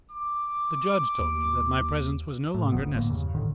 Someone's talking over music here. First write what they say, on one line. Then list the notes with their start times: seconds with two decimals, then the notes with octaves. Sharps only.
The judge told me that my presence, was no longer necessary.
0.11 D6
1.19 D#2
2.54 A2
2.72 G1 D2 F3 B3
2.94 A2 D3 A3 A#3
3.09 E2 G2 C#3
3.34 G1 A2 D3 D#3